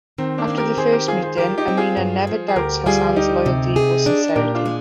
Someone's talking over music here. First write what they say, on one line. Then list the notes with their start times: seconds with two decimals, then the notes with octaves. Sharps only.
After the first meeting, Aminah never doubt's Hassan's loyalty or sincerity.
0.18 D#3 C4
0.38 A#3 D4
0.48 C4
0.58 G4 A#4
0.77 D#3 G#4 C5
0.92 G4 A#4
1.08 G#3 F4 G#4
1.22 G#4 C5
1.37 F4 G4 A#4
1.58 D#4 G4
1.68 C4
1.77 F4 G#4
1.97 G2
2.27 F3
2.48 G#4
2.56 D2 G4 A#4
2.86 G3 F4 G#4
3.16 D2 D#4 G4
3.46 C3
3.76 G#4
4.06 D4
4.36 A#2 G4 A#4
4.55 D4 F4
4.66 G#3